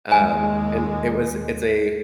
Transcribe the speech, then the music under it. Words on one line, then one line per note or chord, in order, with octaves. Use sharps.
Um, and it was it's a
D#2 G#3 G#5